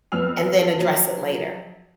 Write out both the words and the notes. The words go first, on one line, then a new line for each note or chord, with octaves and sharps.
and then address it later.
F2 B3 E6 F6 F7
A4
F3 F#3